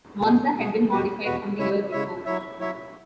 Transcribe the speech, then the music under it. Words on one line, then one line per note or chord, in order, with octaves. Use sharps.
Monza had been modified from the year before.
B2 G#3 B3 G#4
B2 G#3 B3 G#4
E2 B2 B3 F#4 B4
E2 B2 B3 F#4 B4
C#3 G#3 E4 C#5 E5
C#3 G#3 E4 C#5 E5
F#3 E4 C#5 E5
F#3 E4 C#5 E5